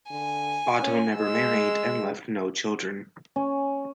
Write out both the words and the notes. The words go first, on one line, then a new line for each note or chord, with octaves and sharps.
Otto never married and left no children.
D3 G#5
C#4
G#3 E6
C#4